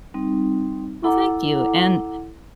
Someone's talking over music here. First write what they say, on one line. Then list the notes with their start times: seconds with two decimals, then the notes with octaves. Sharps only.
Well, thank you. And
0.14 G3 C4 D#4
1.04 E4 A4 F#5 A#5 D6